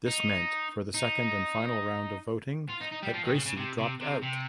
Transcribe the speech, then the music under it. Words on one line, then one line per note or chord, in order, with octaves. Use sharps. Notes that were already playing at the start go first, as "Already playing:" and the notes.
This meant for the second and final round of voting that Gracie dropped out.
D#4
D#4
F4
D#4
D#4
G3
F3
D#3
C#3
C#3
C3
C3
C3
C3